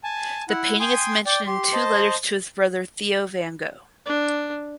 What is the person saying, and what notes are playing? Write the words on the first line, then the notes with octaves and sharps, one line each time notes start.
The painting is mentioned in two letters to his brother Theo van Gogh.
G#5 A5
E4 F#5
G5 G#5 C6 D#6
D5 G5
G4 C6
C5 D#5 A5
D4